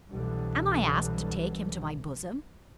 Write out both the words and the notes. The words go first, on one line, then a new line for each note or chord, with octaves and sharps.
Am I asked to take him to my bosom?
C2 B2 D3 E3 F#3 G3